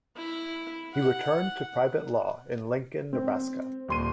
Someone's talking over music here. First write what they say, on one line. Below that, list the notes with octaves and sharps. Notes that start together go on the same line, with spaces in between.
He returned to private law in Lincoln, Nebraska.
E4
F#5
C4
D#1 C6 D#7